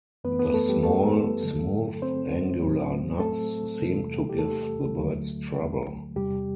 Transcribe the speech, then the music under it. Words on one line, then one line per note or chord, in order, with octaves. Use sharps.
The small, smooth, angular nuts seemed to give the birds trouble.
F#2 E3 A3 B3 B4
B3 B4
A3 A4
G3 G4
A3 A4
G2 D3 F#3 A3
C4 C5
A2 F#3 A3
A3 A4
E2 C3 E3 G3
G4
A3 A4
D2 D3 F#3 A3
E2 C3 G3 G4